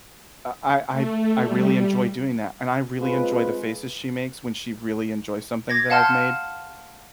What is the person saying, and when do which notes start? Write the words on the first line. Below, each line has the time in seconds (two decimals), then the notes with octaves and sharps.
I I I I really enjoy doing that, and I really enjoy the faces she makes when she really enjoys something that I've made.
0.92 A3
1.42 G3
3.00 G#3 C4 F4 B4
5.69 D6 G#6 A#6
5.90 F5 F#5 A5 C6 F6 G6